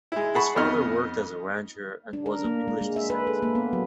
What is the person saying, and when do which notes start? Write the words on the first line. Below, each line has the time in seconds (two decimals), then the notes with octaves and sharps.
His father worked as a rancher and was of English descent.
0.12 G#3 E4
0.35 G#4 F#5 A5 B5 C#6
0.56 F2 B3 D#4 F6
2.13 D4
2.26 A#4
2.45 A#3
2.68 G#3
2.81 G#3
2.96 E5
3.10 B4
3.27 A4
3.42 A#3
3.55 B3
3.73 F#3